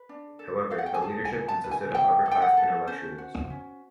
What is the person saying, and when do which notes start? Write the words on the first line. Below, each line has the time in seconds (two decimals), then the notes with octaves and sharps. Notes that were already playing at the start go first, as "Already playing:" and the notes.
However, the leadership consisted of upper-class intellectuals.
Already playing: B4
0.09 D4
0.39 A4
0.70 F#4 F5
0.78 F#5
0.86 G5
0.94 G#5
1.02 G#4 A5
1.25 G#5
1.33 D#4
1.48 A5
1.64 B4
1.71 G#5
1.95 E4 G5
2.26 A4
2.31 G5
2.42 F#5
2.57 A4
2.87 C#4 C5
3.18 F#4
3.50 C#4